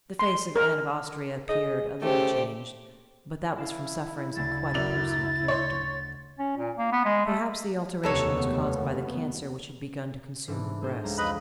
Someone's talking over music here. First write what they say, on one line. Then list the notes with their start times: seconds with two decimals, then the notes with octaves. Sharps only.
The face of Anne of Austria appeared a little changed, but that was from sufferings of quite a personal character. Perhaps the alteration was caused by the cancer which had begun to consume her breast.
0.19 C6
0.56 A#4
1.49 G#4 D#5
2.02 C#3 A3 G4 C5
3.56 E4 F5 A5 D7
4.36 D2 C#3 A3 A6
4.74 F#2 D5 F7
5.48 C5 C#5 C6
6.39 C#4
6.57 A#2
6.78 A#3
6.92 B3
7.05 G#3
7.26 A3
8.03 F1 D#2 C#3 F#3 B3 A4 C#5
10.48 G#2 E3 D4
10.81 A3 G#4 C5
11.04 C#2 G#3 A#5
11.18 F2 B4 D#5 B5